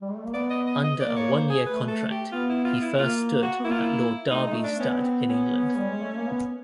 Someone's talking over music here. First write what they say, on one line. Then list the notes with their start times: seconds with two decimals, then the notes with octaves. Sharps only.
Under a one-year contract, he first stood at Lord Derby's stud in England.
0.02 G3
0.10 G#3
0.17 A3
0.26 A#3
0.34 B3 D5
0.50 D#5
0.67 D#5
0.84 D#5
1.01 A#3 D5
1.17 C#5
1.33 C5
1.50 G#4
1.66 A3 B4
1.88 A4
2.11 G4
2.32 B3 F4
2.49 E4
2.65 F4
2.82 E4
2.99 A#3 F4
3.43 F#4
3.60 B3
3.64 A#3 E4
3.72 F4
3.79 E4
4.31 A3 D#4
4.47 G#3 D#4
4.53 A3
4.64 D4
4.75 B3
4.80 C#4
4.97 C4
5.30 C#4
5.77 G3
5.90 G#3
6.03 A3
6.16 A#3
6.29 B3